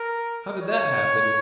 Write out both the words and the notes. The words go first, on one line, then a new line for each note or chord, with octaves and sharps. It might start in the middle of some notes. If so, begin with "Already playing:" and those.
"How did that happen?"
Already playing: A#4
C#5